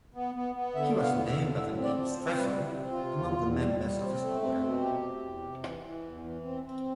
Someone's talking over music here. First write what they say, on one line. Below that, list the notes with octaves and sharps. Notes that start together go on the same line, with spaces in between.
He was known by the name Strephon among the members of this order.
B3
B3
B3
D3 E5
B3
F5
E2
E5
D3
A2 E5
C4
D5
F3
C5
C4
G3 B4
C3
E4
C4
F4
C3
E2
E2
G3
G3
C4
A3
C4
B2
C3 G4
C3
E2
C3
E3
E3
E2
E3
C4
C4